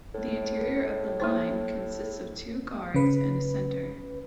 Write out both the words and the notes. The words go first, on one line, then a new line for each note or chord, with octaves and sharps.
The interior of the line consists of two guards and a center.
A2
A#3 E4 C5
C#3 B4